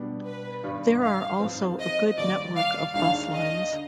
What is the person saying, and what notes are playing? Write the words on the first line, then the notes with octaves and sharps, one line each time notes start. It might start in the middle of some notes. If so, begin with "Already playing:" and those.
There are also a good network of bus lines.
Already playing: B2 G3 B3 D4 G4
B4
G2 D#3 G3
F5
G#2 F3 C4
D#5
D#2 D#3 G3 D5
F5
D#2 D#3 G#3 D4 F5
D#5
D3